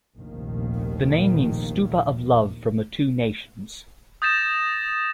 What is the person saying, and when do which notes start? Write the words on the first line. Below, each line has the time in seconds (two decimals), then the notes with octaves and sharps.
The name means "Stupa of Love from the Two Nations".
0.16 F1 A#1 D#2 D#3 A#3
4.22 D#6 G6 A6 A#6 E7